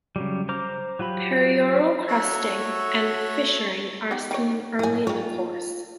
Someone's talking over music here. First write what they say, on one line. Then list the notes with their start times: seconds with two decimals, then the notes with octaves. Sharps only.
Perioral crusting and fissuring are seen early in the course.
0.16 C#3 F#3 G3
0.49 C5 A#5 D6 F6
0.99 F#3 F4 G4 B5
2.08 F#4 A4 C#5 E5 F#5
4.11 B3 D#4 G4
4.31 D#3 C#5
4.79 A2 E4 D#5 G#5
5.07 D#3 F4 C#5